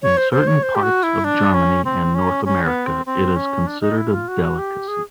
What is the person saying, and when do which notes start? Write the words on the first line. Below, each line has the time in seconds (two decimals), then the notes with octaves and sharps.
In certain parts of Germany and North America, it is considered a delicacy.
0.02 C#5
0.17 C5
0.32 C5
0.47 C#5
0.63 C5
0.75 G4
0.83 F#4
1.03 E4
1.24 D4
1.54 C#4
1.85 C4
2.15 C#4
2.45 C#4
2.65 B3
2.86 C4
3.06 C4
3.36 C#4
3.67 D4
3.81 D#4
3.97 E4
4.13 F4
4.28 F#4
4.59 G4
4.88 G#4